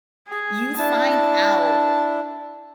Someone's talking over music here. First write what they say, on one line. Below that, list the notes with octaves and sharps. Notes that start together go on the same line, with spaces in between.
you find out
G#4
D4 E4 A5